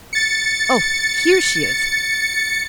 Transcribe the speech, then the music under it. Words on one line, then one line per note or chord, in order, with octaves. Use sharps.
Oh! here she is!
A6 C#7